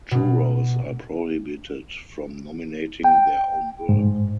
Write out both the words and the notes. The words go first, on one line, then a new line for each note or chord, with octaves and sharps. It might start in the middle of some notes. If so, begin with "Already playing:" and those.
Jurors are prohibited from nominating their own work.
B2
G5
G#2